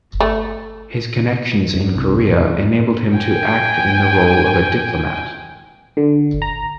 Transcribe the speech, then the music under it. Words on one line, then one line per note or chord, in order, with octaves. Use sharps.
His connections in Korea enabled him to act in the role of a diplomat.
A3
F#2
C2
B2
E2
G5 G#5
D3
A#5